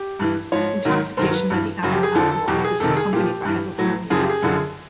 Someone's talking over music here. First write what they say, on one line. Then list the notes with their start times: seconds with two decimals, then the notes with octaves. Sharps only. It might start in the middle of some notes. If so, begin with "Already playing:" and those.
Intoxication by the animal alkaloids is accompanied by hypothermia.
Already playing: G4
0.19 G2 E3
0.52 G#2 F3 C#5
0.85 G#2 D#3 F#3
1.17 G2 D#3 F#3 C5
1.33 B4
1.50 G2 E3
1.83 F#2 C#3 F#3
1.92 G4
2.03 G#4
2.15 F2 D3 F3 A4
2.31 A4
2.48 E2 B2 F#3 G4
2.64 G#4
2.80 F2 C3 D#3 A4
2.96 G#4
3.13 A#2 F3 G4
3.45 G2 E3
3.78 A2 F#3
4.10 F#2 C#3 F3 G#4
4.20 G4
4.30 G#4
4.43 F#2 D3 F3